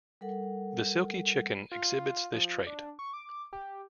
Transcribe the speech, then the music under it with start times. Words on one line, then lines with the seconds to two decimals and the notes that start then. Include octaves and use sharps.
The Silkie chicken exhibits this trait.
0.21 G3 A4 A#4 F#5
1.72 F4
2.33 F3
2.67 D4
2.99 C#6
3.13 D6
3.53 G4